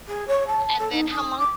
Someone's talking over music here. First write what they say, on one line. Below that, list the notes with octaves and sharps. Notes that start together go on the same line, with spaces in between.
And then how long
G#4
C#5
A5
A4
D#4
D#6
D6